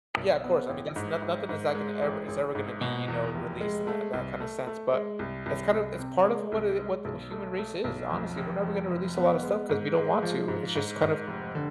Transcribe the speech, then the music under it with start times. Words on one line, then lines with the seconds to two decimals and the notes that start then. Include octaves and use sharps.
Yeah, of course, I mean, that's not nothing is that gonna ever is ever gonna be, you know, released in that in that kinda sense, but it's, kind of it's part of what it what the human race is, honestly, we're never gonna release a lotta stuff 'cause we don't want to, it's just, kind of
0.17 B1
0.44 B3
0.69 A1
0.96 G#2
1.22 G#2
1.49 G#2
1.75 G#3
2.02 A1
2.28 A1
2.55 G#2
2.81 B2
3.08 E2
3.34 F1
3.61 G#3
3.87 A3
4.13 C2
4.40 A3
4.67 A3
4.93 G#3
5.19 C2
5.46 C2
5.72 C2
5.99 C3
6.25 G#3
6.52 C2
6.78 G#3
7.05 B1
7.31 A3
7.58 A3
7.84 B1
8.11 F2
8.37 F1
8.63 F2
8.90 F1
9.17 B3
9.43 G#3
9.69 G#2
9.95 G#3
10.22 F3
10.48 G#2
10.75 G#2
11.02 G#2
11.27 F1
11.55 D3